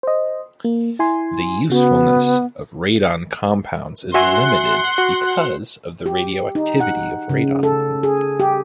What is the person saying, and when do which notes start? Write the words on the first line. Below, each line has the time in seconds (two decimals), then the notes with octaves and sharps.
The usefulness of radon compounds is limited because of the radioactivity of radon.
0.03 C5 D#5
0.64 A#3
0.99 E4 G#5 C6
1.70 C#3 B3 F#4
4.14 F#4 E5 F#5 G#5 C6
4.98 F#4
6.06 G4
6.55 D#4
6.80 F#5
7.29 C#3
7.63 A4
8.03 G#4
8.40 G4